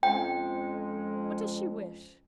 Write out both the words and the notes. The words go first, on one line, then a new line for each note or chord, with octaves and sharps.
What does she wish?
F2 G#3 C#4 G5